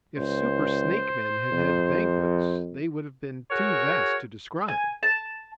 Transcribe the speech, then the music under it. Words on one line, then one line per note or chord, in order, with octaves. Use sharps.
If super-snake-men had had banquets they would have been too vast to describe.
C#2 C5
F2
F#4 G#4 A#4 C#5
G#5
A5